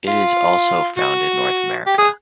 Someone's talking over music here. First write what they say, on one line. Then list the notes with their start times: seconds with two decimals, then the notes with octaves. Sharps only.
It is also found in North America.
0.08 F4
0.97 F#4
1.86 G4
1.98 G#4